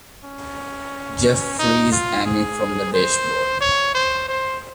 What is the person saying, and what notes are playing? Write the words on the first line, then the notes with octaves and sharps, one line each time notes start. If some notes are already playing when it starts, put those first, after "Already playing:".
Jeff frees Amy from the dashboard.
C#4
D#4
F4
G#4
C5
C#5
C5
C5